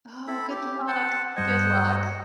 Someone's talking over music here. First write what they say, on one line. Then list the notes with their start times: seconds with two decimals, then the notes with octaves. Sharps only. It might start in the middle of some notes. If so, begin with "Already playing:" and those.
Oh, good luck! Good luck.
0.28 E4 A4 B5
0.50 G4
0.88 F#5 A5
1.37 G2 G3 C5 D#5 F#5 G#6